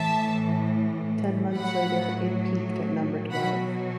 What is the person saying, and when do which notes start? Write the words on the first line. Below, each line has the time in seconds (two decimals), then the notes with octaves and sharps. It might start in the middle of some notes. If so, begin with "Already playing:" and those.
Ten months later, it peaked at number twelve.
Already playing: A2 E3 E5 A5
1.54 A2 F#3 F#5 B5
3.31 B2 F#3 F#5 B5